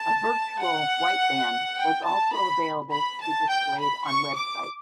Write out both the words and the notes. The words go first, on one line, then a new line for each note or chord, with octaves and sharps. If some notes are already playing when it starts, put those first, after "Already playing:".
A "virtual" white band was also available to be displayed on websites.
Already playing: A5
F#5
G5
A5
B5
B5
A5
G5
B5
C#6
D6